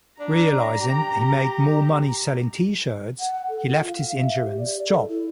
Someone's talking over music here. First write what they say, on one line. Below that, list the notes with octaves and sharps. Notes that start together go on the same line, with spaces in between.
Realizing he made more money selling T-shirts, he left his insurance job.
D4 A#5
G4
F#5
A4
F4
F5
E5
G4
D5
A4
E4